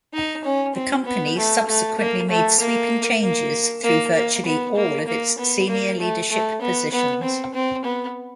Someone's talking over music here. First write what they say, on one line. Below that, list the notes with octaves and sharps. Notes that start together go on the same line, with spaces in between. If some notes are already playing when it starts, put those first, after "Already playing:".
The company subsequently made sweeping changes through virtually all of its senior leadership positions.
D#4
C#4
C4
B3
A3
A3
A#3
A3
A#3
A#3
A#3
A#3
B3
A#3
A#3
B3
A#3
A3
A3
B3
B3
C4
C4
B3